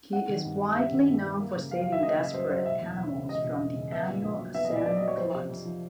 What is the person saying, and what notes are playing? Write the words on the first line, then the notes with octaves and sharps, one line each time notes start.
He is widely known for saving desperate animals from the annual Assam floods.
C4 F#5
D#3
G2
G3
C4 E5
D#3
G2
G3
A#3
C#3
F#2 F5
F5
F#3
E5
A#3 D#5
C#3
F#2 C5
F#3 C5
E1 E5
E2
E1
C#3
E1 D#5
E2
E1
C#3
B3 E5
A#2
A#1
F#3
B3 E5
D#5
A#2 D5
A#1 D5
D#5
F#3
C#5
F2 C5
C3
F2
F3